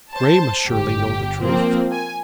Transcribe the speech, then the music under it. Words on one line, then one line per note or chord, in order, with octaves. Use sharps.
Grey must surely know the truth.
C5 A5
G1 G4
F3 A#3 C4
G#5